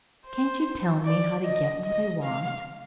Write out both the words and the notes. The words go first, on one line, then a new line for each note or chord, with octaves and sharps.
"Can't you tell me how to get what I want?"
C5
D5
D#5
D#5
F5